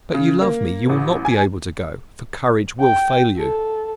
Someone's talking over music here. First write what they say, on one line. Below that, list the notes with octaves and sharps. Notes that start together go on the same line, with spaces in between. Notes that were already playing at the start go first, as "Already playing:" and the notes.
But you love me, you will not be able to go, for courage will fail you.
C#3
A#3
A1
G#5
G5
A4